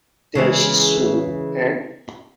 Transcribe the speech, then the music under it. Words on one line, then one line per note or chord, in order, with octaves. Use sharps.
Tenshi Sou, en.
C#3 E3 G#3